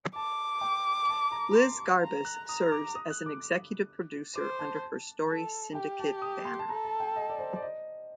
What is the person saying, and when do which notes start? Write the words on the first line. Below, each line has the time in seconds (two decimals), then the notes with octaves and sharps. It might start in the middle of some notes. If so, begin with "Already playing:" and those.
Liz Garbus serves as an executive producer under her Story Syndicate banner.
0.15 A5 D6
0.61 G5
1.09 A5
1.32 A#5
1.51 A#5
1.55 C6
2.02 A#5
2.25 F#6
2.48 A#5 D#6
2.72 D6
2.95 D#6
3.10 F#6
3.26 D6
4.36 C5 D6
4.59 A5
5.29 A4
5.75 G4 G5
5.99 A5
6.22 D#6
6.45 C6
6.59 A5
6.69 A4 A#5
6.85 A5
7.00 G5
7.16 D#5
7.30 D5
7.39 C5
7.56 D5
7.62 D#5